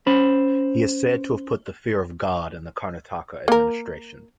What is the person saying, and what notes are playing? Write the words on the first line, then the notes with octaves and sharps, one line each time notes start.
He is said to have put the fear of god in the Karnataka administration.
C#4 C5 B5
A#3 A#4